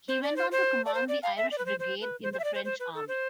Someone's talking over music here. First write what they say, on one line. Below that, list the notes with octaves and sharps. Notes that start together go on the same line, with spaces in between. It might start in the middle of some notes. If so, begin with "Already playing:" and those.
He went on to command the Irish Brigade in the French army.
C5
D5
C5
C5
D5
C5
D5
F5
E5
D5
B4
C5
C5
B4
C5
C5
E5
D5
C5
C5
B4
A4
C5